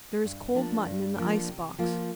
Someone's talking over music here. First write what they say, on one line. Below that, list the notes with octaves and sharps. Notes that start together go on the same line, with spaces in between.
There is cold mutton in the ice box.
G2
F3 A#3 D4
G2
F3 A#3 D4
C3
F3 A#3 F4